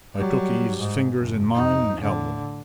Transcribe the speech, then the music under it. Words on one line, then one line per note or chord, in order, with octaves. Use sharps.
I took Eve's fingers in mine and held them.
F#3 G3
G#2
F#1
F2 D#4
A2 D3